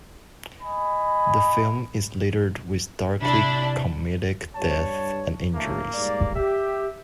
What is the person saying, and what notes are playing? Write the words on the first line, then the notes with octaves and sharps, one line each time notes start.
The film is littered with darkly comedic deaths and injuries.
D#5 G#5 B5
C3 D4 E4 B5
G2 C#5 A5
D2 A2 A3 A#3
G#2 G3 D5
G4 E5